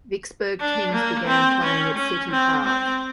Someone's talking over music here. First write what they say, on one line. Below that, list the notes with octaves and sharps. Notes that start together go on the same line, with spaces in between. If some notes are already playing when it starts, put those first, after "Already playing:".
Vicksburg teams began playing at City Park.
D4
A#3
C4
C#4
C#4
C4
C4